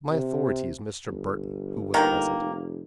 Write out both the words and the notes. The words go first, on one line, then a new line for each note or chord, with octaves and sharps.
"My authority is Mr. Burton, who was present."
C3
G1
B2 D#3 A#3
F1